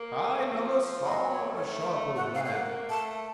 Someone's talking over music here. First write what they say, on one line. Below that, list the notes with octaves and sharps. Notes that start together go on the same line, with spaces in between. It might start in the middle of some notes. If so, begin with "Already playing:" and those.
'I never saw a sharper lad.
Already playing: A#3
A3
F#3
F3
F3
F#3 D#5
C#5
A#3
A3
C#5
A#4
F#4
F5
F5
A#3 F#5
A3 A5